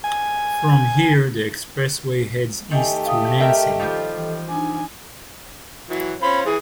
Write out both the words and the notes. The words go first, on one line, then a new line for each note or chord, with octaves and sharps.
From here, the expressway heads east through Lansing.
G#5
D#3 A3 G4 D#5 E5 G#5
E5 F5 G5 D#6
A4 A#4 D#5 E5 G5
D#3 F3 G3
E3
D4 D#4 G#5
E3 F#3
C#4 F4 C5 B5
E3 G#4